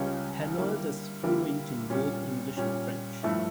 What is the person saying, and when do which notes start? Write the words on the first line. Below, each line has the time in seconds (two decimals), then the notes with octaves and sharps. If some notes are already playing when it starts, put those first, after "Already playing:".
Henault is fluent in both English and French.
Already playing: C#2 C#3 G3 C#4 F4
0.57 D3 G3 A#3 E4
1.23 D3 G3 A#3 E4
1.90 A#2 G3 C#4
2.57 A#2 G3 C#4
3.23 G2 F3 A3 E4